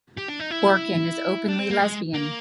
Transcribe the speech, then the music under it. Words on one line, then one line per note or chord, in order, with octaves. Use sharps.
Orkin is openly lesbian.
G4
D4
D#4
E4
D4
C4
A#3
G#3
A#3